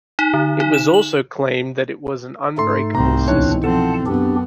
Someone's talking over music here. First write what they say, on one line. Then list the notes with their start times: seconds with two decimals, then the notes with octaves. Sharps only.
It was also claimed that it was an unbreakable system.
0.19 D#4
0.34 D3
0.60 D#4
0.74 E7
0.94 F#7
2.58 G#2 A3 D#4 A4 C6
2.95 C2 C4 A#5
3.28 D2 G#2 B2 E3 D4 C#5 F#6
3.64 F3 C4 A4 F#5 A5
4.06 F#2 B3 C4 D4 G4